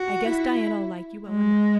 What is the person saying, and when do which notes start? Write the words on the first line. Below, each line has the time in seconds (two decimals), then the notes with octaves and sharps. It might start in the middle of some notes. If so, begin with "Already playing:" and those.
I guess Diana'll like you well enough.
Already playing: F#4
0.25 E4
1.28 G#3